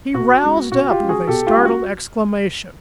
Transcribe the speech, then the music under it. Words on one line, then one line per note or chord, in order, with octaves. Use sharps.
He roused up with a startled exclamation.
B2 F#4
G#3 C#4
B2 F#4
F4 G4
G#3 C#4
F#4 G#4
B2 G4 A4
F4 G4
G#3 C#4
F#4